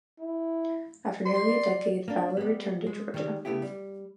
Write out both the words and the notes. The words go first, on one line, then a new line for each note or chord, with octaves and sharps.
After nearly a decade, Fowler returned to Georgia.
E4
D5 C6
A#3 D4
G3 B3
G#3
D#3 G3 G#3
C#3 A3 B3 E4 G4
G3